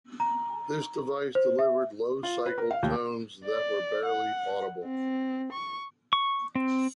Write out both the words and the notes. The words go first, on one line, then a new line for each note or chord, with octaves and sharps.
This device delivered low-cycled tones that were barely audible.
A#5
C5
E5
F4
B4
A#4
F5
D#2
D5
F#5
C4
C#6
C#6
C4